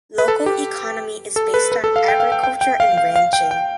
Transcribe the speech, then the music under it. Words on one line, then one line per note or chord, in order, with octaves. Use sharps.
Local economy is based on agriculture and ranching.
B4
A4
G4
A4
B4
B4
A4
F5
G5
F5
G5
G5
G5
F5
F5
F5
G5
G5